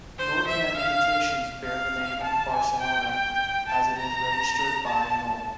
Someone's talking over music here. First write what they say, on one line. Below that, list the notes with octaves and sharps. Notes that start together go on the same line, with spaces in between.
Nor can imitations bear the name “Barcelona”, as it is registered by Knoll.
C5
E5
F5
F5
A5
G#5
G5
G5
A5
A#5
A5